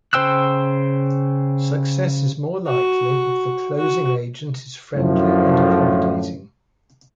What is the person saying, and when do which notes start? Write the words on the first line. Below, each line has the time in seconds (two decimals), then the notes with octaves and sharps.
Success is more likely if the closing agent is friendly and accommodating.
0.13 C#3 C5 G5 E6 F#6
2.66 F#4
3.78 F#4
4.95 F#2 A2 D3 F3